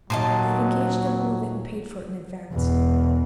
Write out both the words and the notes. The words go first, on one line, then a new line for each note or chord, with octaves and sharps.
"They have engaged the whole of it and paid for it in advance."
D#2 A#2 F#3 D#5 A5 C6
E2 B2